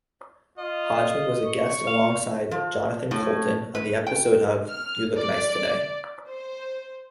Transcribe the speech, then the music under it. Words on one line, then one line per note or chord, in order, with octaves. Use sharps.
Hodgman was a guest alongside Jonathan Coulton on episodes of "You Look Nice Today".
F4 D#5
C#6
F5
F3
A2
B4
G5
F6
D5
C5